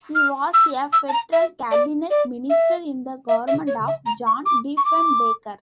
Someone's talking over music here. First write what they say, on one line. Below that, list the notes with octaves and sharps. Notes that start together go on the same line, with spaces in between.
He was a federal cabinet minister in the government of John Diefenbaker.
F6
E6
E6
A5
A#5
E5
D5
D5
E5
E5
E5
C#5
E5
A#5
C#6
D6
C#6
D6